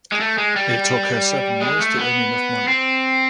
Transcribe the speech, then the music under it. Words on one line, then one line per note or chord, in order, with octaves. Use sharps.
It took her seven years to earn enough money.
G#3
A3
G#3
G3
G#3
A3
B3
C4